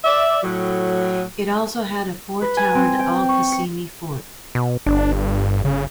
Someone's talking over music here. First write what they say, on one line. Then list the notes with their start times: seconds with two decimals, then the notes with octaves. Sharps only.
It also had a four-towered Al-Qasimi fort.
0.04 D5 E5
0.43 A2 F#3
2.42 B4
2.57 G#5
2.75 C4
2.99 G5
3.29 C#6
3.52 C#7
4.55 B2
4.86 G1 D4
5.12 G2
5.65 C#3